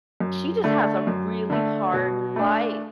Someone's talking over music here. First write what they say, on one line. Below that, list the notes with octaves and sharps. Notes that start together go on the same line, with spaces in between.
she just has a really hard life,
F#2
D3 A3
F#2
D3 A3
B2
A3 D4